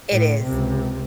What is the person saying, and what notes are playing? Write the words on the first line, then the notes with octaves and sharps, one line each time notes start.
It is.
A2
C#2 C3